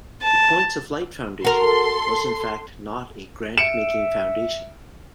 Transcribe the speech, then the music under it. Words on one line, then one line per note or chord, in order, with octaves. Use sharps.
The Points of Light Foundation was in fact not a grant-making foundation.
A5
F#4 A4 A#4 C6
E5 C#7 D7 E7